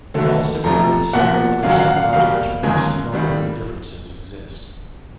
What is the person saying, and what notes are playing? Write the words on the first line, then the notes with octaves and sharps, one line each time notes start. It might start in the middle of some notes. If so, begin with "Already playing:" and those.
While similar to several other psychological terms, noteworthy differences exist.
D#2 D3 F#3 A3
F1 F2 C3 F3 A3 A#5
B1 A#2 F3 A#3 F#5
G#1 F#2 D3 F#3 F5
F#5
F5
F#5
F5
E2 B2 G3 A#3 F5
G1 F#2 D#3 G#3
F1 D#2 D#3 G3